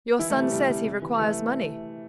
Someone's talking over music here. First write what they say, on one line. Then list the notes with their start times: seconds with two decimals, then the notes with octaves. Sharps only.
"Your son says he requires money."
0.19 E3 E4
0.30 A3
0.36 C3
0.42 G3
0.52 C3 G3
0.69 C3
0.85 C3
1.02 E3
1.18 E3 A3